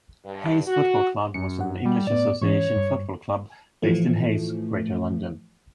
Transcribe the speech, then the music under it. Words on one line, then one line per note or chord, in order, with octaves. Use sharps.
Hayes Football Club was an English association football club based in Hayes, Greater London.
G2
F#4
F#2 C#7
F#5
G3
A2 B3 D5
G#2 E3 C#4 C#5
G2
A2 E3 F3 A3